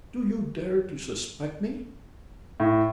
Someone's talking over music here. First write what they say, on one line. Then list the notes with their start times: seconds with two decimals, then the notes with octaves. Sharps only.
"Do you dare to suspect me?"
2.60 A2